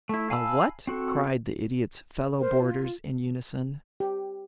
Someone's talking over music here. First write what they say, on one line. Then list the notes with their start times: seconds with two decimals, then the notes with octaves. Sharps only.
"A what?" cried the Idiot's fellow-boarders in unison.
0.09 A3 E4
0.30 F5 G#5 A5 B5 E6
0.87 C4 F#4 A4
2.39 A#4 C5
2.59 F4
4.00 G4